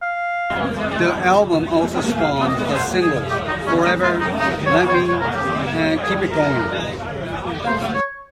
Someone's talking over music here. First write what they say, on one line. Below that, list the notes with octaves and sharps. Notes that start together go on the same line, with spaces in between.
The album also spawned the singles "Forever", "Let Me", and "Keep It Going".
F5
F5
D#5
C5
G#4
G4
D#4
C#4
D#4
F4
D#4
D#4
C#5
C#5
C5
C#5
A#4
G4
G#4
A#4
C5
C#5